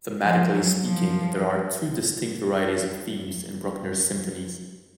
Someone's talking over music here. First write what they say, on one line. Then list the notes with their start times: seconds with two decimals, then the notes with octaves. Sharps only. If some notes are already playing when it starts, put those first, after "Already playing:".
Thematically speaking, there are two distinct varieties of themes in Bruckner's symphonies.
0.23 F3
0.53 F#3
0.84 F3